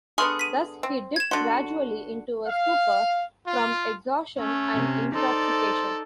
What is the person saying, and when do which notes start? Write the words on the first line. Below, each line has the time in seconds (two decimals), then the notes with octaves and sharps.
Thus he dipped gradually into a stupor, from exhaustion and intoxication.
0.18 D3 B3 G#4 C6 C#6 F6
0.39 B6 D#7
0.83 C4
1.16 G#6 E7
1.31 D3 F#4 C6
2.47 F5
3.47 F4
4.39 A3 C#4
4.74 C3
5.15 D#4 A4 C5 D5